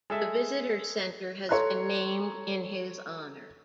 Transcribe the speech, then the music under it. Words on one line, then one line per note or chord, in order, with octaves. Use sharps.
The visitor center has been named in his honor.
G#3 A4 E5
A4 C#5 A#5 C6 F#6